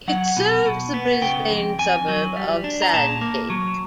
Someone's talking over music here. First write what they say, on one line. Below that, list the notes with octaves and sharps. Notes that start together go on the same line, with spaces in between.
It serves the Brisbane suburb of Sandgate.
F#3 F#5
B2
B2
B3
C#3 G5
F2
F2 G#5
F#3
G3
D4
A#5
A#2 A5
A#3
F#3